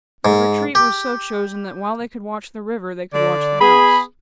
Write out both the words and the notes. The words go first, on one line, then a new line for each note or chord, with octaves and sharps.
Their retreat was so chosen that while they could watch the river, they could watch the house.
G#2
G4
D3 D5
B3 G#4 B5